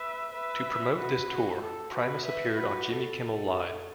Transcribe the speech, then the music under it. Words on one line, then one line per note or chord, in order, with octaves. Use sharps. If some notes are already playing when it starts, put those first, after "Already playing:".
To promote this tour, Primus appeared on Jimmy Kimmel Live!
Already playing: B4 E5
B4 E5
F#4 B4
F#4
A4
F#4 B4
B4 E5
F#4 B4
A4